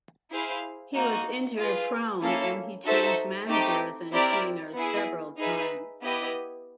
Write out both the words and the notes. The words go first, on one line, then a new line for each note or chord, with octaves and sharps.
He was injury prone, and he changed managers and trainers several times.
E4 G#4 C5 F5
A#3 D#4 F#4
F4 G#4 B4
A#3 C#4 E4 A4
D#4 F#4 A4 C5 E5
A3 C4 D#4 G4
C4 E4 G4 A#4 D5
B3 E4 G#4
D#4 G#4 B4 E5
B3 E4 G4 B4 D#5